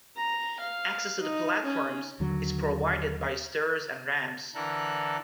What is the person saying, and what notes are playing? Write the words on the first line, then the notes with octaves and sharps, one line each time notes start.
Access to the platforms is provided by stairs and ramps.
A#5
F5
D#4
C#4
D#2 D3 F#3
D3 E3 A4 A#4 F#6